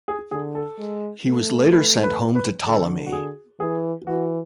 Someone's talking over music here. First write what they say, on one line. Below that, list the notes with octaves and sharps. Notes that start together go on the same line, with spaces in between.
He was later sent home to Ptolemy.
G#4
D3 G#4
A4
G#3
A3
B4
B4
B4
D3 A4
F#4
G#4
E3 G#4
E3 F#4